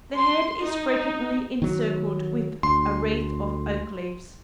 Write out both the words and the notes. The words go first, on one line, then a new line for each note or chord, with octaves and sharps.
The head is frequently encircled with a wreath of oak-leaves.
C6
D#4
D#3 F#3
D2 C6